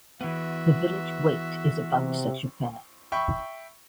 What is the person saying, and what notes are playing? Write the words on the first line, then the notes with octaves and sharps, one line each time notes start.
The Village Wait is about such a fair.
E3 B3 F#4 E5
C3
E5 G5 B5 C#6